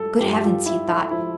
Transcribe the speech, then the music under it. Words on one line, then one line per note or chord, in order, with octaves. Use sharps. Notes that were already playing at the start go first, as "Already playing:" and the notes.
"Good heavens!" he thought.
Already playing: G2 F3 A4
G2 F3 G4
G4
F4
E4
E4
F3 E4